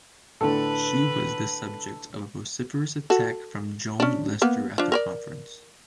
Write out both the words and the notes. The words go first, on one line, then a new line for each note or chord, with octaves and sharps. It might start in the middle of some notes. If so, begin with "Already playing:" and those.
She was the subject of a vociferous attack from Joan Lestor at the conference.
A2 D3 A4 B4
F#4 A4
C#4 D4
A#3 B3
F3 D4
A#4 C5 D5